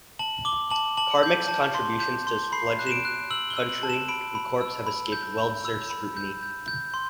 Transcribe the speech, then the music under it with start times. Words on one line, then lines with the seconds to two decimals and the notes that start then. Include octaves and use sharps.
Carmick's contributions to his fledgling country and Corps have escaped well-deserved scrutiny.
0.19 A5 F#7
0.45 D6 G7
0.71 A5 F#7
0.97 A5 F#7
1.23 G6
1.48 A5
1.74 C6
2.00 G6
2.27 C6
2.52 B5 C7
2.79 F#6
2.87 E7
2.92 D7
3.05 F#6
3.30 E6 F#7
3.50 G7
3.57 E6
3.69 F#7
3.83 A5
3.90 E7
4.08 B5 D7
4.35 B5
4.61 E6
4.87 B5
5.12 G6
5.38 B5
5.65 E6
5.90 B5
6.17 G6
6.43 G6
6.68 G6
6.94 C6